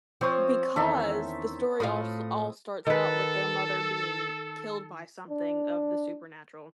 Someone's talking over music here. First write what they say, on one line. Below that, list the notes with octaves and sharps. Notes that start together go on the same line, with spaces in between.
because the story all s all starts out with their mother being killed by something of the supernatural
F3 C4 C#5 D#6
E2 D#3 C#4 A4 E5
A2 F4 F5 D#6
D#3 A4 B4
D4